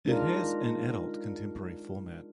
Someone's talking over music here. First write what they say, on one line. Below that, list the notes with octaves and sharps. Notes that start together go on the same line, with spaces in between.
It has an adult contemporary format.
G#3 D4 D#4 F4 A#4